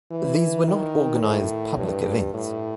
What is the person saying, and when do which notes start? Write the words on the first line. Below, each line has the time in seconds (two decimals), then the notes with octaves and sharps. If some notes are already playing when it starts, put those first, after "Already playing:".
These were not organized public events.
0.11 E3
0.67 D#3
1.23 A2
1.78 G2
2.34 A2